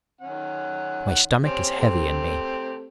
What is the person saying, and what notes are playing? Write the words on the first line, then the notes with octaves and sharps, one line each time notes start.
My stomach is heavy in me.
D#3 C#4 F#5
C4 C#4 G4
A3 C4 G4